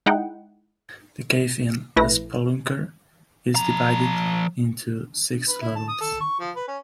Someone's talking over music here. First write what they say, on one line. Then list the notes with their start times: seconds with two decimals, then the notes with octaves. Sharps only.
The cave in "Spelunker" is divided into six levels.
0.06 G#3 D#4 E4 F#5 G5
1.96 A#1 A3 E4 B4 A#6
3.55 F3 A#5
5.48 B4
5.61 E4
5.76 A5
5.88 D#6
6.01 A4
6.21 C#6
6.40 F3
6.56 B4
6.68 C#4